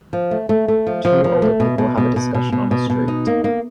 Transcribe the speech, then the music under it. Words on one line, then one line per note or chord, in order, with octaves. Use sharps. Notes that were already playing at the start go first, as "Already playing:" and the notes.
Two older people have a discussion on a street.
F3
A3
A3
A3
F3
F3
F3
A3
B2
B2
B2
B2
B2
B2
B2
B2
D#4
A#3
A#3